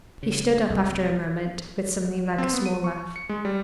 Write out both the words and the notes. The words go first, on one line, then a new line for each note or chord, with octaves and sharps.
He stood up after a moment, with some thing like a small laugh.
C#3
C2
C4
B3
D#7
C#6
C#7
G#3
G3